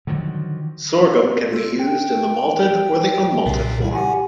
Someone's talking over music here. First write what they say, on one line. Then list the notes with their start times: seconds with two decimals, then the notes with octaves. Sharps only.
Sorghum can be used in the malted or the un-malted form.
0.07 D3 D#3 F3 F#3
1.50 F4 A4
1.79 G5
3.46 B1 A#2 C#3
3.82 G3 E4
3.93 G4 F#5 G#5